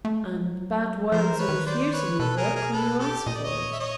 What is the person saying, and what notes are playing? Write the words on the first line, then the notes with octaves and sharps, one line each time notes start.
'And bad words are refusing you work when you ask for it.'
A3
G#3
F#3
F3 A#4 C5
E3
B4 C#5
D#3
C5 D5
B4 C#5
B2 A4 B4
G#4 A#4
G#4 A#4
A4 B4
G4 A4
A#2 D#5
D5
C#5 D#5
E5
C#5 D#5